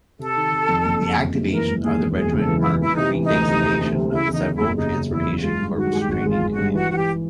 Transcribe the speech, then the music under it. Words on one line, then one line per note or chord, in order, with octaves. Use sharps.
The activation of the Regiment marked the redesignation of several Transportation Corps training commands.
C3 A4
D#3
C3
F2
F#1
F2
F2
F#1
E3 A#4
E1
D#2 G#4
E1
E1 G#4
C#3
A4
E3
E4
E3
E3 E4
C3 D#4
E3
D#4
D2
C3
C3
D2
C3
C#3 E4
E2
D#4
E2
F#1 E4
C#3 D#4
C#3
E2 E4
F#1
F#4
G#3 F4
G2
D#3 F#4
G#3 G#4
G4
G#1 F#4
G#3 F4
G#1
F#4
G2
E3 F#4
E3 F#4
G4